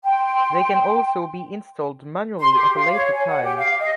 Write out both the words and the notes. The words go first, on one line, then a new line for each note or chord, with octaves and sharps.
They can also be installed manually at a later time.
G5 C6
C6
G4
F5
C#5
G#5
F#5
G4
F5
D#5